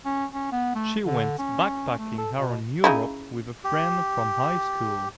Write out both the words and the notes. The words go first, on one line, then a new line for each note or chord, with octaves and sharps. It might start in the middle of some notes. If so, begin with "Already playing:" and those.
She went backpacking around Europe with a friend from high school.
C#4
C#4
B3
A3
D3
C#4
A3
A4
B2
C#3 D#4 E4
G4